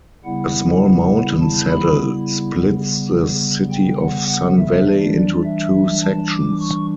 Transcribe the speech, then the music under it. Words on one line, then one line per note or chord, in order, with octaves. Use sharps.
A small mountain saddle splits the city of Sun Valley into two sections.
C#3 G3 B3 E4 F#5
A5
B5
C#3 G3 B3
G5
F#5
F#5
E5
E3 G3 D4 D5
D5
E5
A5
D6
C#6